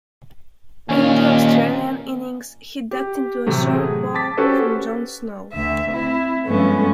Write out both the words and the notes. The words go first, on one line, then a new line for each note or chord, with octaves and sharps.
In the Australian innings he ducked into a short ball from John Snow.
D#2 A#2 C#4 F5 G#5
G4
A2 C3 E3 F#3 A3
G#4
A5 D6 A6 B6
C#4 F#4 G4 A4 B4 C5
D2 E5
C4 E4
G2 F3 G#3 A3 B3 C#4